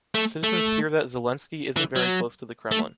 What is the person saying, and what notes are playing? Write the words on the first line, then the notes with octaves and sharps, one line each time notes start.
Citizens fear that Zelensky isn’t very close to the Kremlin.
A3
A3
E3
F#3
A3